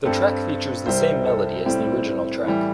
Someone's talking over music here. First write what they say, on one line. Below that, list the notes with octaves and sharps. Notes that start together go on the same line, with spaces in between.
The track features the same melody as the original track.
G2 G3 C4 A4
C2 C3 G3 C4 C5
A4
A2 G3 C4
A2 E3 G3